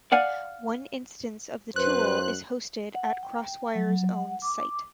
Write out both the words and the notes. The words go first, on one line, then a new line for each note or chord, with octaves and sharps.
One instance of the tool is hosted at CrossWire's own site.
D5 F5 F#5 G#5
F#2 B4 C5 F#6
F#5
G5
F#3
F#5
D6